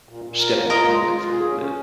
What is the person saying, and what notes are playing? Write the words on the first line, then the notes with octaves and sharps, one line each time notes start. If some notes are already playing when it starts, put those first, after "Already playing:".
step away from it for a little bit.
A#2
A#2
A#4
A#3
F4 A#4 D#5
G#3
F4
F4
G#4
C#4
C#4